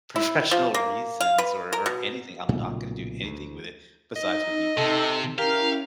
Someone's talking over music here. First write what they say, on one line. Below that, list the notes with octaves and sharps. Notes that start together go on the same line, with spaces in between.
professional reasons, or or anything. I'm not going to do anything with it, besides maybe
E4
F3
A#3
F5
B4
A#4
B2
B1 A#2 C#3 A3
D2
D#4 D#5 E6
C3 A4
C#4 E4 G4 A#4 F5